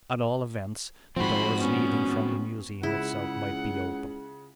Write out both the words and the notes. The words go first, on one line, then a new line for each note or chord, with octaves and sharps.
At all events, the doors leading from the Museum itself might be open.
G#2 F3 C4 F#4 B5 C6
B3 C#4
C#2 C#3 E4 F#5